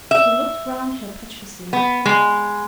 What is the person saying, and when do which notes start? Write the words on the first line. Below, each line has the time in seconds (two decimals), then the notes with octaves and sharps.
She looked round her piteously.
0.11 E5
1.73 B3
2.06 G#3